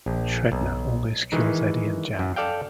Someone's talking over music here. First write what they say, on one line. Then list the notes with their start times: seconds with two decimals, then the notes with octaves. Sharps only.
Sredna almost kills Eddie and Jack.
0.06 A#1
0.52 B1
1.32 D#3 E3 G#3 D#4
2.19 F#2
2.36 A4 D5 F5 G5